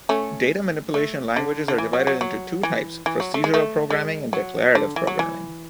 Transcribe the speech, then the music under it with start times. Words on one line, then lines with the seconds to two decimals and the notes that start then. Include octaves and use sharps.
Data manipulation languages are divided into two types, procedural programming and declarative programming.
0.09 A3 C#4
0.94 A3
1.36 D3
1.68 D3
1.78 E3
1.93 F#3
2.07 F#3
2.21 F#3
2.63 E3
3.06 E3
3.20 F#3
3.34 A3
3.44 G#3
3.54 A3
3.90 G#3
4.33 F#3
4.75 D3
4.96 E3
5.07 F#3
5.19 E3